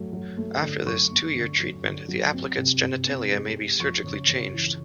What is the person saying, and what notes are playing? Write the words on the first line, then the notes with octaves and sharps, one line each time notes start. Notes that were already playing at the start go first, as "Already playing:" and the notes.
After this two-year treatment, the applicant's genitalia may be surgically changed.
Already playing: F#3 A3
F#3
A3
D3
F#2 C#6
B3
D3
F#3
D3
F#3
C4
C3
C3
C4
G#3
G#3
F2 C#6
C#3
C#3
E3